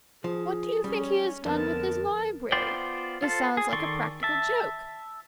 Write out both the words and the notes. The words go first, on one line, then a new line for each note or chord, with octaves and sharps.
And what do you think he has done with his library? It sounds like a practical joke.
F3 G#4
G3 C#4
F2 D3 B3 A#4 A5
B3 F4 C5 D5 G5
F4 A4 C5
G#4
D#3 A4 D5 C6 C#6
E5 A5